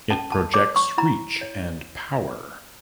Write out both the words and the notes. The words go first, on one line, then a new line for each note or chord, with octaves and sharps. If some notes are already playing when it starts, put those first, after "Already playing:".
It projects "reach and power".
C#4 A5
A5
C#5 D6
C#6
E4 A#5
C#5